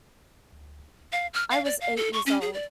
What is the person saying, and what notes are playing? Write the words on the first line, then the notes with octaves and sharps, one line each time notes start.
I was eight years old.
F5
F6
F5
D5
F5
A4
C#6
C#4
G#4
D5